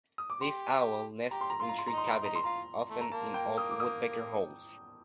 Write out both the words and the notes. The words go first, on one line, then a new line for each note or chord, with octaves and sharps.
This owl nests in tree cavities, often in old woodpecker holes.
D#6
D6
G4 C6
G4 A#5
C6
A#5
F4 C6
A#5
C6
A#5
D#4
C6
A#5
C6
D#4 A#5
C6
F4 A#5
A3
A#5
A#3 A5
G5
D#6
D6
D#6